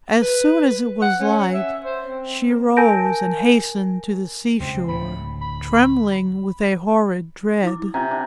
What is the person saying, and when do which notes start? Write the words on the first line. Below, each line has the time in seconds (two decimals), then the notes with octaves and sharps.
As soon as it was light she rose and hastened to the seashore, trembling with a horrible dread.
0.22 B4
1.02 F#5
1.20 C#4
1.54 E5
1.85 C5
2.07 C4
2.49 A#4
2.77 A#4 G#5 A5 G6 A#6 D7
4.60 C#2 B2 C4
4.88 D2 A2 B5
5.41 B5
7.63 E4 D6
7.94 C3 C#4 F4 G#5 A#5
8.11 D4